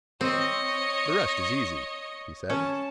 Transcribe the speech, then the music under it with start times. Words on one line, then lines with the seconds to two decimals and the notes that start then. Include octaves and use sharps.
"The rest is easy," he said.
0.21 C4 C#5 D#5
2.50 C#4 A5